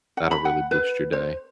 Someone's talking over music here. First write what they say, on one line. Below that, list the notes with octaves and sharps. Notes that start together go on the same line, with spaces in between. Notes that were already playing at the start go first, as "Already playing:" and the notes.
That'll really boost your day.
F#5
B5
F#5
B4
C5